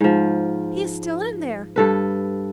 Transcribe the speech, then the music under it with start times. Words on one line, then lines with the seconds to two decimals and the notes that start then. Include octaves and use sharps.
'He is still in there!
0.01 G#2 F3
1.76 G2 A4 B4